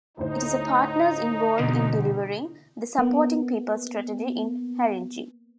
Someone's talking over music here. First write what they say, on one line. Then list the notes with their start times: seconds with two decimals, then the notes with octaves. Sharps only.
It is a partners involved in delivering the Supporting People strategy in Haringey.
0.17 D2 A2 D#4 C5
1.59 E2 B2 D3
2.98 A#3 B3